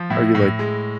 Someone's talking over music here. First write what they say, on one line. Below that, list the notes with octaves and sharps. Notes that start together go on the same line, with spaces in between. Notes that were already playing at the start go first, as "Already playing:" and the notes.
Are you like
Already playing: F3
A2 E4
A2
G#3